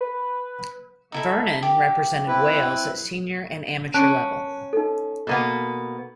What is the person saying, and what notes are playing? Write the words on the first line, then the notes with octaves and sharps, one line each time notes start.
Vernon represented Wales at senior and amateur level.
B4
D#4 E4 A4
G4
C4 E4 B4
C#4 A5 F#6 D7
D#4 A4
B2 A#3 B3